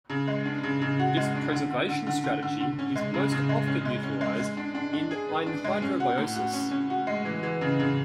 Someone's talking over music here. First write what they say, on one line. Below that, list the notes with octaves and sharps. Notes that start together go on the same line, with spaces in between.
This preservation strategy is most often utilized in anhydrobiosis.
C#3
G#3
D4
C#3
C#3
F#4
G#3
D4
D3
D3
D3
D3
D3
D3
D3
C#4
G#3
C#3
C#3
G#3
C#4
G#3
C#4
G#3
G#3
D4
D4
D4
G#4
B4
D4
G#3
C#4
F#4
A2
F#4
C#4
C#4
F#4
G#3
E3
E3
C#3
C#3